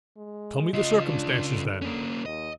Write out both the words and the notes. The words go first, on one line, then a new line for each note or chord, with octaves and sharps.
"Tell me the circumstances, then."
G#3
C#3 F4 D#5
D4
D3
A#3 C#4
D#2 D#5